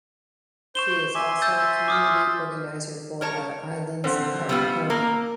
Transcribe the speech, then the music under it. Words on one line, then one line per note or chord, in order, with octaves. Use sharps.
She is also community organizer for Our Islands Our Home.
C5 C#6 E7 G7
E5 G#5 C6 D6
E6 G6 A6
D6 D#6 F6
A#4 C#5 A5
D3 F3 C4
G3 B3 F4 E6
A#3 A#4